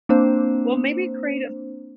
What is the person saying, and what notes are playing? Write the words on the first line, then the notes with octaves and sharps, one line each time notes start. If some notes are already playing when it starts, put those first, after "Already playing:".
Well, maybe create a
A#3 C4 D4 C5